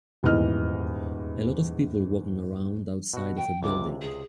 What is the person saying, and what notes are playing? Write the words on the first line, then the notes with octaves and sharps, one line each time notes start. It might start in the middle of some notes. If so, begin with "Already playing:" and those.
A lot of people walking around outside of a building.
D#1 E2 G#2 E3 D#5 F6
B2 F#4
G5
C#2 C3 D6
G#4